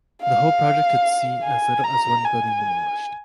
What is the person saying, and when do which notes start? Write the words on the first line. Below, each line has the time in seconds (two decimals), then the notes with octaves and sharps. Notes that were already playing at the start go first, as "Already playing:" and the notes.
The whole project could see as little as one building demolished.
0.22 F5
1.44 G#5
1.84 A#5
2.25 G#5